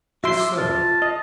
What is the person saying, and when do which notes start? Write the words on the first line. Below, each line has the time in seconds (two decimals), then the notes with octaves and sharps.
Just so.
0.24 F#4 E5 C6
0.40 D6
0.58 F4 A5 F6
1.02 D#5